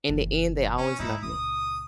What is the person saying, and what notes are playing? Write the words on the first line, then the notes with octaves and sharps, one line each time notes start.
in the end, they always love me.
F#1 E3
C#4
G#2 D3 D#4 E4
C#2 A#2 D#6